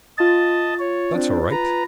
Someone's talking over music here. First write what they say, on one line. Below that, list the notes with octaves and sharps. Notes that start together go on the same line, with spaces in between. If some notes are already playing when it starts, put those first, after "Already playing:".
That's all right.
F4 D#5 A5 A6
C#5
C4 D4
B4 A#5